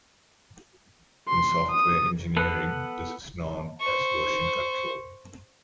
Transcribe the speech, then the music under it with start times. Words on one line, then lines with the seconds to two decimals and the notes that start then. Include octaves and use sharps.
In software engineering, this is known as version control.
1.28 C6
1.71 D#6
2.37 B3 A4 B4 F#5
3.80 C5 C#6